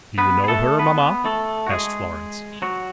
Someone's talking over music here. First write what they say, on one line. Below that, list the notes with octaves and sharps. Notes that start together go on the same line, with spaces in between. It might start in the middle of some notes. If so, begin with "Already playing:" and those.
"Do you know her, mamma?" asked Florence.
B3 B4
G#4
A3 A4
B3 B4
A3 A4
F#4
G#3 G#4
F#3 F#4